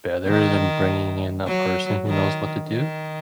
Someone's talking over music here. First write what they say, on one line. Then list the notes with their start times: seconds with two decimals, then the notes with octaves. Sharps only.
better than bringing in a person who knows what to do?
0.27 D#3
1.47 F#3
2.07 D#3
2.68 D#3